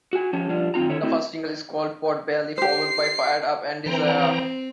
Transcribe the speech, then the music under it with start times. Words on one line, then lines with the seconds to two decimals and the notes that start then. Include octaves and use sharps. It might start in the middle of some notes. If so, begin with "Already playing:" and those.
The first single is called "Pot Belly" followed by "Fired Up" and "Desire".
0.13 F#4 G#5
0.33 F3 C#4 G4 C#5 A5
0.49 F3 G3 B3 D4 F4
0.74 F#2 D#3 C4 F4 A#5
0.90 D3 D#3 E4 A4 C#5
1.03 A3 C4 E4 F#4
2.58 G4 C5 C7
3.86 E3 C4 G5 A#5